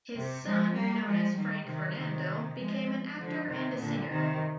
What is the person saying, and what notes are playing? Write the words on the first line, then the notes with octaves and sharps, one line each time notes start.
His son, known as Franck Fernandel, became an actor and a singer.
C3
F3 G#3
G3 A#3
F3 G#3
D#3 G3
C3 D#3
C3 D#3
F3 G#3
D3 F3
C3 D#3
A#2 D3
C3 D#3